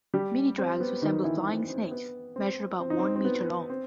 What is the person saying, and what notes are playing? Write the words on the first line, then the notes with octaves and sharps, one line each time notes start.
Minidrags resemble flying snakes, measure about one meter long.
G3 G4
C4
B3
D#3 D#4
E3 E4
C4
C4
B3
C4
C4
D#4
C4
C4
B3
C4